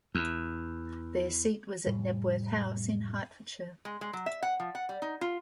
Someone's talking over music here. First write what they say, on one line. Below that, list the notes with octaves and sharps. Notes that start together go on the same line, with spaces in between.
Their seat was at Knebworth House in Hertfordshire.
E2
F1 A2 G3
G#3
G#3
F#3
E5
F#5
F3
F#5
G3
D#4
F4